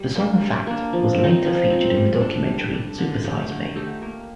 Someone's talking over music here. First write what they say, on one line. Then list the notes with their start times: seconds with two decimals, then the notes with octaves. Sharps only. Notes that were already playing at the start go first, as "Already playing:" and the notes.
The song "Fat" was later featured in the documentary "Super Size Me".
Already playing: G3
0.16 A#3 D4
0.41 G3
0.67 A#3 D4
0.93 F3
1.18 C4
1.24 D#4
1.45 F3
1.70 C4 D#4
1.96 G3
2.21 D4 A4
2.47 G3
2.73 D4 A4
2.98 D3
3.24 A3 D#4 G4
3.50 D3
3.76 A3 D#4 G4
4.02 A#3